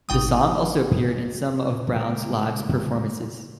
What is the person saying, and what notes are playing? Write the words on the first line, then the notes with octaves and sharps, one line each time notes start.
The song also appeared in some of Brown's live performances.
G#1 G5 D#6
C#3 G#3 A#4 A#5